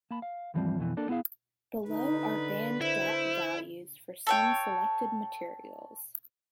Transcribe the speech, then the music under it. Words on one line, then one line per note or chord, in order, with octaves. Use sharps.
Below are band gap values for some selected materials.
A#3 A5 B5
F5
D#2 G#2 E3 F3 G3 C4
F2 B2 E3
A#3 D4 A4
B3 E4 G#4 F5
D3 D#4 B4
E4 C5
A4 C#5 G5